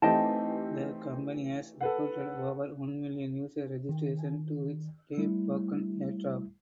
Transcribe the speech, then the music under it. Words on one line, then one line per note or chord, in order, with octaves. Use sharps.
The company has reported over one million user registrations to its Flame Token airdrop.
E3 A3 C4 D#4 G4 D#5 G5 A5
A4 B4 F#5
D#3
G3 A3 E4